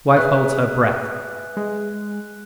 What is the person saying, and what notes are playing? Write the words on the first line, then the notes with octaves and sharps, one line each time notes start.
Wife holds her breath.
G#4 B4 E5 F#6
G#3